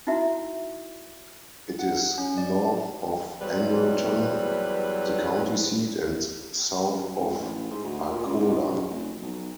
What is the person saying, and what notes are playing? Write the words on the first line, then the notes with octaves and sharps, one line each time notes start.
It is north of Angleton, the county seat, and south of Arcola.
D#4 E4 F#4 E5
F#5
C#4
D5
E2 F#3 G3 B4 C5
F#2
G#1
A1
G#2
D2
A#2
C#2
C2
F#2
F1
B1